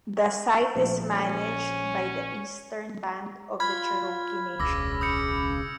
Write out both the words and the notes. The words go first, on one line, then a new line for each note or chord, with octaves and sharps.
The site is managed by the Eastern Band of the Cherokee Nation.
A#1 F3 A3
C#4
F4 B5 F6 G#6
E1 C#2 C#3 D6 E6 A#6
D#6 G6 C#7